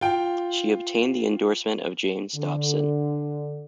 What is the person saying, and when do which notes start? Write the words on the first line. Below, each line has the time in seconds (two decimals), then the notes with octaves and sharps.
She obtained the endorsement of James Dobson.
0.01 F4 G5
2.36 D3